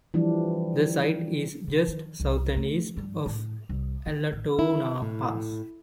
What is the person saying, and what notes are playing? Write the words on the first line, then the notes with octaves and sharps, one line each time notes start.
The site is just south and east of Allatoona Pass.
E3 F3 G3 D4
C#3
D#3
C2
A3
G2
A2
C2
E4
A1
E4
A2